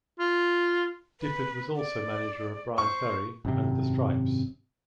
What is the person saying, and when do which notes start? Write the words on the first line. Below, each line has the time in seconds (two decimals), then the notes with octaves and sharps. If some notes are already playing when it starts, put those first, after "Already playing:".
Difford was also manager of Bryan Ferry and The Strypes.
0.19 F4
1.20 B4
1.76 D5
2.78 C5 C#6
3.45 G#1 F#2 C3